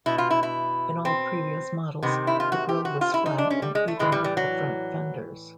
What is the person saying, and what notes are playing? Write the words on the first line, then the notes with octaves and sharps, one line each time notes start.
In all previous models, the grille was flat and even with the front fenders.
B2 E4
F4
E4
E4
C4
C3 D#3 B3
E4
F4
F#4
G4
F#4
F4
E4
D#4
D4
C#4
G3
G#3
A3
A2 E3 G#3
G3
G3
F#3